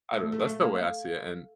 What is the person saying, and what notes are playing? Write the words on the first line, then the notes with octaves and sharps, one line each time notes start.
I don't know, that's the way I see it and
A3
A3
F#3
A3
A#3